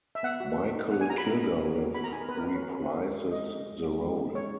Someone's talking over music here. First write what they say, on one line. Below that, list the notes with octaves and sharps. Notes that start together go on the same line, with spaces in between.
Michael Kilgarriff reprises the role.
E5
B3 F#5
F#4
B3
D#4
B3 F#5
G#5
F#4 A#5
B5
B3 A#5
D#4
B3
F#4
B3 B5
A#5
D#4 G#5
A#4
B3 B4
A#4
F#4 B4
C#5
B3
D#4
G#3
F#4
G#3 D#5
D#4
G#3
F#4
G#3
D#4
G#3 C#5